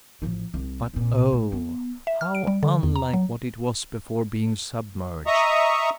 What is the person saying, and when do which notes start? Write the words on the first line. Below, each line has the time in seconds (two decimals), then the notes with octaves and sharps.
But, oh! how unlike what it was before being submerged!
0.22 A1 F3
0.54 C2
0.94 C2 A#2
1.33 A3
1.52 B3
2.07 E5
2.21 F6
2.35 D7
2.47 G3
2.63 D3
2.83 E2
2.96 A#5
3.14 F#3
5.27 D#5 E5 A#5 C#6 D#6